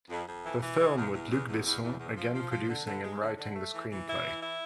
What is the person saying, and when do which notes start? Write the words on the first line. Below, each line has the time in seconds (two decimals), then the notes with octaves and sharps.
The film with Luc Besson again producing and writing the screenplay.
0.10 F2
0.27 F2
0.44 E3
0.61 E3
0.78 G#3
0.96 E2
1.13 E2
1.30 E2
1.48 E2
1.65 E2
1.82 E2
2.00 E2
2.17 F3
2.34 F3
2.52 F3
2.69 D3
2.86 D3
3.03 G#3
3.21 D3
3.38 D3
3.55 A3
3.73 E3
3.90 E3
4.07 E4
4.24 E3
4.41 E4